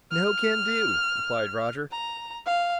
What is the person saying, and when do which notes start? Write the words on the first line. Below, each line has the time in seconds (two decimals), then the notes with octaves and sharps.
"No can do," replied Roger.
0.11 F6
1.91 A#5
2.46 F5